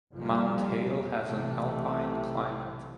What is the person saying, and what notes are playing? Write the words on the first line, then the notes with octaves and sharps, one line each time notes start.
Mount Hale has an alpine climate.
F1 F2 A#2 F3 G3
B1 C3 E3 A3